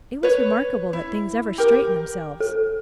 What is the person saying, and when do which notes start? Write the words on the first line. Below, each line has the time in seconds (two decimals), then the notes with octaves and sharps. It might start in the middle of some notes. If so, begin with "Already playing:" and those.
It was remarkable that things ever straightened themselves.
0.23 B4 C#5
0.93 E4
1.58 G4 A#4
2.40 A4